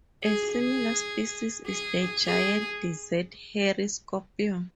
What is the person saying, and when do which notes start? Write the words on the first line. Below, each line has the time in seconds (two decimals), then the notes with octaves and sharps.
A similar species is the giant desert hairy scorpion.
0.23 G#4
0.51 G#4
1.67 G#4
2.24 G#4